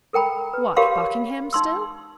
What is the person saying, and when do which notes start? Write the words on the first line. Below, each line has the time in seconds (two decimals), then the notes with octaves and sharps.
"What, Buckingham still?"
0.13 A4 A#4 G5 A#5 B5
0.53 B4
0.76 G4 A#4 C#5 F5 B5 C6
1.53 D#4 C6 E6